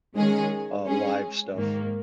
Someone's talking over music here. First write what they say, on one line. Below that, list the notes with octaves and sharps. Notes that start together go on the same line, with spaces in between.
uh, live stuff.
D#3 G#3 C#4 G#4
G#3 C#4 G#4
G#2 D#3 A#3